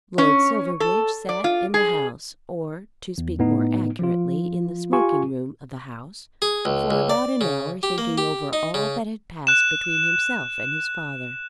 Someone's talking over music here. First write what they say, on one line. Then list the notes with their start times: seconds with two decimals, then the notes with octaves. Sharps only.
Lord Silverbridge sat in the House--or, to speak more accurately, in the smoking-room of the House--for about an hour thinking over all that had passed between himself and his father.
0.18 C#4
0.80 A4
1.29 D5
1.44 F4
1.74 G#4
3.18 E2
3.39 A2 B3 D#4
3.99 F3 F4
4.93 F4 G4 G#5 C#6
6.42 G#4
6.65 C#2
6.91 C#2
7.10 D5
7.41 C#3
7.83 G4
7.98 A#3
8.18 G4
8.53 D#4
8.74 C#3
9.47 F#6 E7